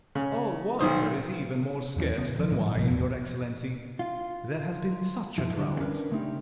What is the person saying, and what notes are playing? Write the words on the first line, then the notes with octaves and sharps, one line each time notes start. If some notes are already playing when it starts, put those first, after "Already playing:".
"Oh, water is even more scarce than wine, your excellency,--there has been such a drought."
C#3
B1 D#3 C5 D#6
E2 E3 C#4
A#1 C#3 B3
F3
A2 E3 F#3 G3
G#1 A2 C3 F3
B1 E2 A#2
F4
F#2 F3 E4
D3 G3
C#4 D4 A#4 B4
C#3 A3 C4 D#4 G4